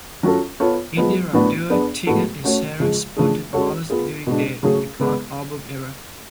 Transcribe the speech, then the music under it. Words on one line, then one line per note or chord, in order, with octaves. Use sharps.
Indie rock duo Tegan and Sara sported mullets during their "The Con" album era.
F#3 C#4 F4 A4
B3 F4 A4 C#5
F3 G#3 B3
A2 F#3 B3 D4 F#4
B3 D4 G#4 D5
A2 G#3 B3 F#4 A4
A3 C#4 F#4 C#5
C#3 F3 G#3
C#3 F3 A3 D4 G#4
G#3 C#4 F#4 A4 C#5
B3 F4 G#4
B2 G#3 D4
C#3 F#3 A3 C#4 G#4
C#3 G#3 B3